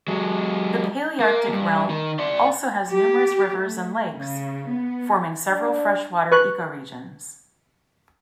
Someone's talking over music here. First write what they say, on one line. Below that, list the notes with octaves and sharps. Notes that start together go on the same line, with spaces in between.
The Palaearctic realm also has numerous rivers and lakes, forming several freshwater ecoregions.
F#3 G#3
A#3
E2 G2
D#3
D5 C6
G4
A3
C#3
B3
D4
B4 C#6 F#6